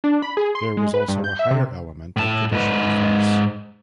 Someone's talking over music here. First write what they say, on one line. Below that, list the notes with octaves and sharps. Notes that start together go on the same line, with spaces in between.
There was also a higher element of traditional farce.
D4
B5
G#4
C6
G#3
B4
G2
G6
E5
C3
A2 A5
G#2 B4